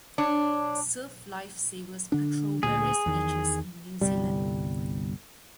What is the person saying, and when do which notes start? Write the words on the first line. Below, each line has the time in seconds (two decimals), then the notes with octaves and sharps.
Surf Lifesavers patrol various beaches in New Zealand.
0.18 D4 C#5
2.12 D3 D4
2.63 D2 A#2 G#4
3.06 E2 D#3
4.01 G1 C2 G3